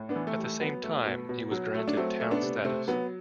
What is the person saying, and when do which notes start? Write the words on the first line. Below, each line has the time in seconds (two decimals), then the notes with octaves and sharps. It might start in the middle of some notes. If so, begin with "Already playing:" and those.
At the same time, it was granted town status.
Already playing: A2
0.09 B3 D4
0.16 E3
0.27 A3
0.38 G3
0.44 A3
0.60 F#3 B3
0.83 A3
1.06 B2
1.29 B2
1.51 F#3
1.74 A3
1.88 D4
1.97 F#3 A3 C4
2.20 A3
2.30 B3 D4
2.42 C3
2.64 C3 A3 C4
2.88 F#3 B3